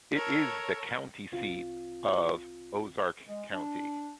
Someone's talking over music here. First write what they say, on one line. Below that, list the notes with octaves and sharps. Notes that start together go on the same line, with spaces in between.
It is the county seat of Ozark County.
A4 A#4 C#5
C2 C4 F4
G#3
D4